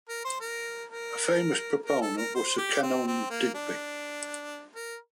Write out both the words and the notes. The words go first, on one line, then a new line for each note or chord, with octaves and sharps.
A famous proponent was Sir Kenelm Digby.
A#4
C5
A#4
A#4
A#4
A4
A#4
C5
G4
C4
C4
A#3
D4
A#4